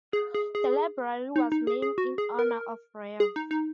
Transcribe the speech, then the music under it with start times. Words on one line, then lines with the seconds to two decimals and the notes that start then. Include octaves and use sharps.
The library was named in honor of Rev.
0.13 G#4
0.34 G#4
0.55 G#4
1.36 D#4
1.52 D#4
1.67 G#4
1.82 G#4
1.98 F#4
2.18 G#4
2.39 A#4
3.20 G#4
3.36 D#4
3.51 D#4